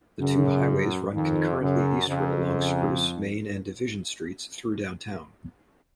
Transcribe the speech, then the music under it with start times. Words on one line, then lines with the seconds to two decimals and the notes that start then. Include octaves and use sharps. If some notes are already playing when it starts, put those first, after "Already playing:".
The two highways run concurrently eastward along Spruce, Main and Division streets through downtown.
0.19 F#2 C#3
1.13 F2 D#3
1.61 F#2 C#3
2.07 F2 C#3